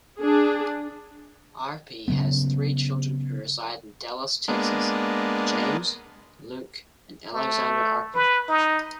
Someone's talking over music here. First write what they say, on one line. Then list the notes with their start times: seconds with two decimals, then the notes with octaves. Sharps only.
Arpey has three children who reside in Dallas Texas: James, Luke, and Alexandra Arpey.
0.18 D4 G#4
2.08 C#3 F#3 B3
4.48 G#3 A#3 B3 D4
7.33 A3
8.15 B4
8.48 D#4